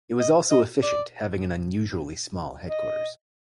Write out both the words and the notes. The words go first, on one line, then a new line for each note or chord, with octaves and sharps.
It was also efficient, having an unusually small headquarters.
D#5
D#5
D5
D#5